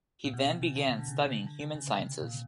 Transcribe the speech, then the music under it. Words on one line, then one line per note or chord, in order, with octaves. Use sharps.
He then began studying human sciences.
A#2
B2
C3
C#3
D3
B2
D3
C#3
C#3
D3
C#3
C#3
C3
C3
A#2